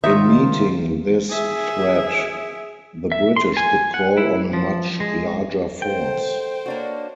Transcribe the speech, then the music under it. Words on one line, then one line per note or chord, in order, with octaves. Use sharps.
In meeting this threat, the British could call on a much larger force.
C3 D#3 D#4 F4 C#5 E5
G#4 E5
E5
C6
G#5
F#5
E4
F3
G#3
A4 C5 D#5 F#5 G5
A#3 D4 F#4 C#5 D#5